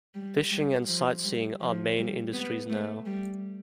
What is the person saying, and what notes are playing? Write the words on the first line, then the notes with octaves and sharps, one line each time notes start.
Fishing and sightseeing are main industries now.
G3
G3
F3
G3
F3
G3
B3
A3
G3